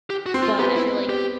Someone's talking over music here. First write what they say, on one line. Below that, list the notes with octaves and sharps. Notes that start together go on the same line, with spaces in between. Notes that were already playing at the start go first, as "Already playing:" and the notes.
But I feel like
G4
F#4
C4
F4
B3 G4
E4
G4